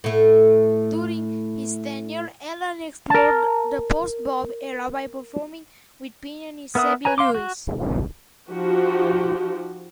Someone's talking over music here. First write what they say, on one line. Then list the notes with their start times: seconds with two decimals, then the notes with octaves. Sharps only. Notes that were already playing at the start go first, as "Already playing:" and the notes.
During his tenure, Alan explored the post-bop era by performing with pianist Sabby Lewis.
0.04 A2 A3
3.10 A#4 A5
6.75 B3 A#4 E5 F#5 D#6
7.05 B4 C#5 G#5 A#5
7.18 F5 C6 D6
7.34 F#4
8.49 F3 D#4 F#4 G4